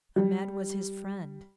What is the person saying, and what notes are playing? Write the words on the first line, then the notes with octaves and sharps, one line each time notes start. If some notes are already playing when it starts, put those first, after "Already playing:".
Ahmed was his friend.
G3